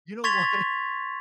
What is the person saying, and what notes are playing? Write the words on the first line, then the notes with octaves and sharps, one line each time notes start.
You know what?
C6 C#6 G#6 A6 B6 F7